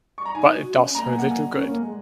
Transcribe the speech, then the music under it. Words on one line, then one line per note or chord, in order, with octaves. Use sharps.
But it does her little good.
C#6
A#5
D#4 G#5
F#4
C#4
A#3 A#5
G#5
F#5
G#5
C#4
A#3
G#3